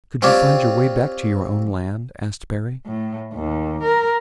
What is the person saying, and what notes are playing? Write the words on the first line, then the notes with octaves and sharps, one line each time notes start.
"Could you find your way back to your own land?" asked Perry.
C4 F4 G4 C#5 D5
A2
D#2
A#4